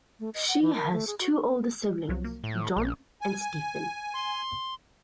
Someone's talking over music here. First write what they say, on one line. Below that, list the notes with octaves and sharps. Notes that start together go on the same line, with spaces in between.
She has two older siblings: John and Stephen.
A3
D#5
F#5
E3
A#4
A3
G#4
F#4
C2 F3 F#3
A#3
A2
A#1
G#5
C6